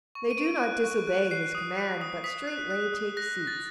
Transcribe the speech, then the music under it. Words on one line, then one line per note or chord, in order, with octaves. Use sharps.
They do not disobey his command, but straightway take seats.
C#6
D#7
C#6 D7
F#6
C#6
F#6
F#6 C7
D#6
F#6
D#6
D#6 B6
F#6
F#6
D#6
F#6 A#6
F#6
A6